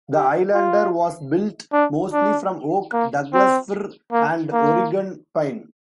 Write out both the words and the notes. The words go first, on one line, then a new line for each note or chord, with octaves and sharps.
The "Islander" was built mostly from oak, Douglas fir, and Oregon pine.
G4
F4
D4
D4
A#3
C4
A#3
A#3